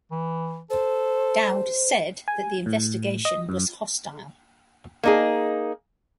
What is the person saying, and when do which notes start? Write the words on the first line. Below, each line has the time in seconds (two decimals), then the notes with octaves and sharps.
Dowd said that the investigation was "hostile".
0.11 E3
0.70 A4 C5
2.28 G#5
2.66 A2
3.25 D#5
3.49 F#2
5.03 A#3 D#4 G#4